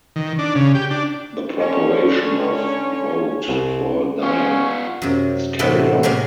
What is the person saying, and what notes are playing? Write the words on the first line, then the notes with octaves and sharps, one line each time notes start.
The preparation of woad for dyeing is carried on.
D#3
D4
C#3
G4
D4
D3 C#4 C#5
C2
B3 C#4 F4
F#2 C3
A2 C3 E3 A3 B3 C4
A2 C3 A#3 G#4 A#4 G#5